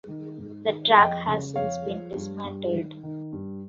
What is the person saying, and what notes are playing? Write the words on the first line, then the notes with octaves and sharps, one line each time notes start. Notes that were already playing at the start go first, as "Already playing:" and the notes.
The track has since been dismantled.
D#3
G#2
D#3
F2 D#5 G5
C#3
F2 C#5 F5
F3
G2
G2
D#3
D#3
G2